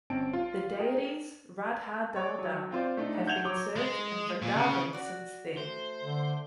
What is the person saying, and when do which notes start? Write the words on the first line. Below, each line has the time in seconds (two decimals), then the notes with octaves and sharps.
The deities Radha Damodar have been served in Vrindavan since then.
0.10 G1 C4 C#4 A5 D7
0.33 F4
0.79 G#4 A#4 G5
2.16 C#5 D5
2.38 F#3
2.71 C4 F4 C5 D5
2.97 A3 D4 D#4
3.26 F#5 G6 G#6 F7 G7
3.44 F#3 C#5 D6
3.76 G#3
4.42 A#2
4.55 C#3
4.93 F#4 D5
5.57 A3 C5
6.03 D3